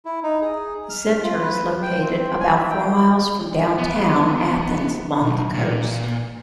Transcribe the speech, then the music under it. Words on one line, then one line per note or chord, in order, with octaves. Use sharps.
The center is located about four miles from downtown Athens along the coast.
E4
D#4
G#4
F6
F4
B4
G5
C4
G#5
E5
G5
B3
B1
A#2